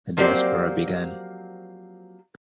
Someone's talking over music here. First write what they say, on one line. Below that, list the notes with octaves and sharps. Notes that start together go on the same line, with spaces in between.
The diaspora began.
F3 F#3 A#3 C4 G4 D5